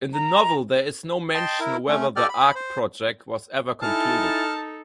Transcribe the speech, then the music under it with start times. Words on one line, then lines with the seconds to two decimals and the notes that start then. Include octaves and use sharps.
In the novel there is no mention whether the "Ark Project" was ever concluded.
0.13 A#5
1.34 D#5 G5 A5 C6
1.60 E4 A#4
1.88 A3 C#4
2.16 G4 A4 D5 D#5 G5 F6
2.29 B5
2.55 C5
3.82 D#4 E4 A4 G#5 A5 F6